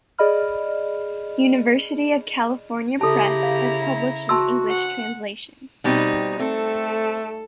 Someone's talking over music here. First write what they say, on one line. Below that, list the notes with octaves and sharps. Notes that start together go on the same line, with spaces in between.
University of California Press has published an English translation.
G#4 D5 D#5 B5 F6
C#3 E4 G4 A4 A5 A#5
F5
F#4 A5 C6 E6
F#5
B2 G3 C4 D#4
A3 C4 A4